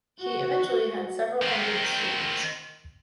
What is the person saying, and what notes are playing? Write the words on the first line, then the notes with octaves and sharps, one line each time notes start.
He eventually had several hundred students.
F#4
D#3 C4